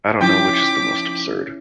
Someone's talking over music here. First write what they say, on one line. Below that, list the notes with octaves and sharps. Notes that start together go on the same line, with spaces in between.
I don't know which is the most absurd.
F3 C#4 D#4 E4 G5 D6 B6